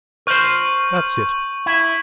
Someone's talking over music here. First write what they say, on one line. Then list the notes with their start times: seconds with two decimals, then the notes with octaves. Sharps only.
That's it.
0.27 A#4 C5 C#6 G6 F#7
1.66 E4